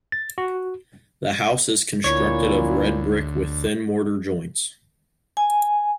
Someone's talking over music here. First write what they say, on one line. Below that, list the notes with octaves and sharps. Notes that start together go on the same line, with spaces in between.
The house is constructed of red brick with thin mortar joints.
A6
F#4
D2 A#2 E4 C#5
G#5